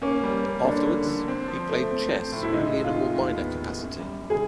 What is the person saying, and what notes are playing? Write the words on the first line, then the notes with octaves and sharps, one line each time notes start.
Afterwards, he played chess only in a more minor capacity.
A#3 C#4
G3
A#3
D3 D4
D3
D3
C4
F3
A3
C4
C4
A2
E4
G#3 D#4
G#3
F4
D#3
D#2
B3
B3
F#2
G3
G3
G#4